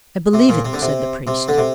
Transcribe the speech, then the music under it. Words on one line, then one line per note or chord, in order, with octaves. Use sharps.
"I believe it!" said the priest.
C3
A#2
C3
D3
C3
C3
D3
C3